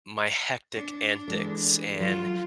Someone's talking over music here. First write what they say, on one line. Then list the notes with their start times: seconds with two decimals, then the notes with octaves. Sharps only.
my hectic antics and
0.74 D4
1.28 E3 G#3 A4
2.00 F#3 F4